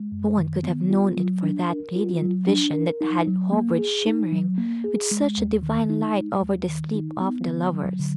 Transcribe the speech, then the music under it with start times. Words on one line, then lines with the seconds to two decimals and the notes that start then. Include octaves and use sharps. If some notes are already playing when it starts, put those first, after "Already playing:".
No one could have known it for that radiant vision that had hovered shimmering with such a divine light over the sleep of the lovers.
Already playing: G#3
0.12 F#2
0.37 D#3
0.63 B3
0.90 F4
1.17 F#3
1.43 D4
1.69 A#4
1.96 F4
2.22 F#3
2.48 D4
2.73 A#4
3.01 D#4
3.27 F#3
3.52 A#3
3.79 G#4
4.06 D#4
4.32 F#3
4.58 A#3
4.84 G#4
5.11 G#3
5.38 D#2
5.63 D#3
5.90 D#4
6.16 G#3
6.42 D#2
6.69 D#3
6.95 D#4
7.21 B3
7.47 D3
7.73 F#3
7.99 D3